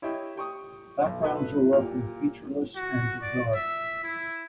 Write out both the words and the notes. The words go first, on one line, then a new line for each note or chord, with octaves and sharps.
Backgrounds are often featureless and dark.
E4 G4 C#5 D#5 E5 G5
G4 G5 C#6 D#6
B1
F#3 D#4 A4 B4
A#2 G4 F6
F#4
D5
E5
E4